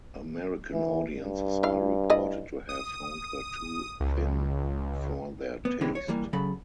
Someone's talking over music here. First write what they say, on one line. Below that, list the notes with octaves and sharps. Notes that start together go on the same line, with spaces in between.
American audiences are reported to have found her too thin for their taste.
E3
G2
E4 F5
E4 D5 D#5
D#6
C#2
B3
B2 D3 E3 G#3 C4 C#4
C#5
E3 G3 A#3
C#3 F#3 A4 B5